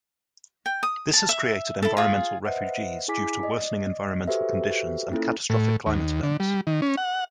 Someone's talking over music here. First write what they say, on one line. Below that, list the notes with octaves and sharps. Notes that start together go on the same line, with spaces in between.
This has created environmental refugees due to worsening environmental conditions and catastrophic climate events.
G5
D#6
A5
E5
E4 A4
F4 G#4
B4 C5 D#5 E5 F#5
E4 G#4 G#5 D6 B6
D5 D#5
F#4 G4 A4 B4 C5 E5
A#3 C#4 E4 F4 A4
A2
D#2
D3
G3
D#3
C#4
F#5